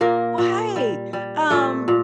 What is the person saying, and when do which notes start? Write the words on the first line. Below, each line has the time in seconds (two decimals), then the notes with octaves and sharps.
Right! Um,
0.01 A#2 A#3 A#4
0.38 A#2
0.76 G3
1.13 G3
1.50 A#2 A3 A4
1.88 A#2